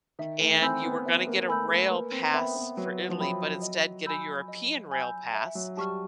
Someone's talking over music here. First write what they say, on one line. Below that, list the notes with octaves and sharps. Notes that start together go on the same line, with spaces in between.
and you were gonna get a rail pass for Italy, but instead get a European rail pass,
D#3 E5
A3
C4 G#5 B5 E6 G6
B3
B3 E5
A#3
A3 G#5 B5 E6 G6
A3
A#3 B4
C4
B3 E5 G5 B5 D#6
B3
F#3 B4
F3
F#3 E5 G5 B5 D#6
D#5
G#5 B5 E6 G6
D#5
G#5 B5 E6 G6
E5
F#3
G3 A5 C#6 F6